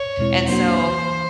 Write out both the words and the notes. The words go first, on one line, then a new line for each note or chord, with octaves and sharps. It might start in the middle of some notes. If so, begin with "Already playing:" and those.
and so,
Already playing: C#5
E2 B2 G#3 C4 E4
F#3 A#3 D4 F#4 C5
E3